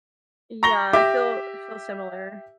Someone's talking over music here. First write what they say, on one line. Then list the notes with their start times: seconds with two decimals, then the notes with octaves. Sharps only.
Yeah. I feel I feel similar.
0.63 A#5 C#6 A#6 G7
0.93 G4 E5 D6